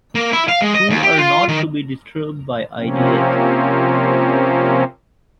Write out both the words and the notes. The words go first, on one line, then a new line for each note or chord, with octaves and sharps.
Who are not to be disturbed by ideas.
A#3
E4
F5
G#3
D#5
D#2
G4
F4
D#3
C3 F3 A#3 C4 C#4